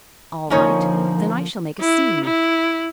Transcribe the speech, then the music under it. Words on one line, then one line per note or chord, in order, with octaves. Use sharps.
"All right; then I shall make a scene."
D3 F3 A#3 C#4 D#4 C#5
E4
E4